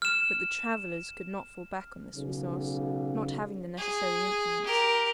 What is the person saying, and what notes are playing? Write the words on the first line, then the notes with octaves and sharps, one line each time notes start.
But the travelers could not fall back on this resource, not having the necessary implements.
F6 E7
B1 C#3
G#4
G4 A#4